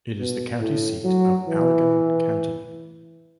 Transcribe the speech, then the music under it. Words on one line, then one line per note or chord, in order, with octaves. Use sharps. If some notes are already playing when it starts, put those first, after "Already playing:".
It is the county seat of Allegan County.
B2
A2
F#3
E3